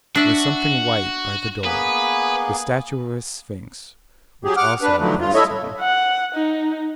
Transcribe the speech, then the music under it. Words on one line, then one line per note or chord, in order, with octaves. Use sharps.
It was something white by the door--the statue of a sphinx, which also oppressed him.
D4 F#4 E5
A#3 B3 G#4 B4
F#3 G4 G#4
F#5 D6 F6
D4 B4
D3 D#3 F3 F#3 A3
G2 F4
E4 A4 C#5 D#5 E5
F#5
D#4